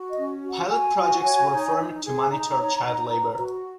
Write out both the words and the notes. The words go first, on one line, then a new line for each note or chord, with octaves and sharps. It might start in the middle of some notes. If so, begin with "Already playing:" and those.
Pilot projects were formed to monitor child labor.
Already playing: F#4
D#5
C#4
F#4
F#5
F#4 G#5
F#4
C#5
D#4
D#4
G#4
G#5
D#4 A#5
C#5
D#4
B4
F#4